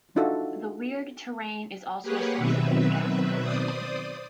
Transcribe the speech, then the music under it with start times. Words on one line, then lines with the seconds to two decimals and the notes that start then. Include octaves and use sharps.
The weird terrain is also a source of these gases.
0.16 D4 D#4 F4 F#4 A4 E5
2.02 A#3 G4 G#4 B4 C#5 F#5
2.37 B2 D#3 F#3 C4 B4 E5
3.41 C5 D5 D#6